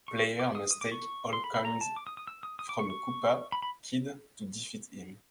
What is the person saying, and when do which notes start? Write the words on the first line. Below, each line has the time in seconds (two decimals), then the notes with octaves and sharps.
Players must take all coins from a Koopa Kid to defeat him.
0.08 C#6
0.40 D6
0.55 D#6
0.71 D#6
0.81 D6
0.92 C#6
1.33 C6
1.44 B5
1.54 B5
1.65 A#5
1.81 A5
1.96 D6
2.07 D#6
2.17 D#6
2.27 E6
2.43 D#6
2.59 D#6
2.69 D6
2.79 C#6
2.90 C#6
3.52 B5
3.62 B5